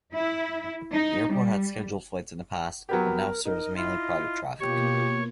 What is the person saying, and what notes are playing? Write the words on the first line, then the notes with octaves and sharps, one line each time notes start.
The airport had scheduled flights in the past, but now serves mainly private traffic.
E4
D#4
G3
F#3 B3 G4 A#4
D#4 A#4 D#5
E4 F4
B2 A#3 F4 G4 C#5 C#6